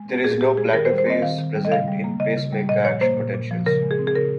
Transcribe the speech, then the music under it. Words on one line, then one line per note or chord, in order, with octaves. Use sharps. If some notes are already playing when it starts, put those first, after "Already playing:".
There is no plateau phase present in pacemaker action potentials.
Already playing: G#3
C4
A#2 G#4
A#2 G4
G#3 G#4
D#3 A#4
C5
G3
C5
C4 D#5
D#3 F5
D#3
G3
D#5
C#3 F5
G3
A#3
C#3 D#5
C#3
G3
A#2 D#5
F3 C#5
A#3 C5
A#2
A#2
F3
C#3 A#4
G#3
G#4
C4
G#4
C#3 A#4